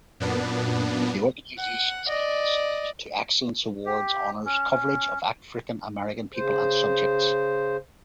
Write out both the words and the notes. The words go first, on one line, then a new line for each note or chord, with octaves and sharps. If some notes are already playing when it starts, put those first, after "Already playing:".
The organization's annual Salute to Excellence Awards honors coverage of African-American people and subjects.
F#2 A#2 B3 D4
F#5
D5 D#5
G4
C#4
C#4
C#3 C5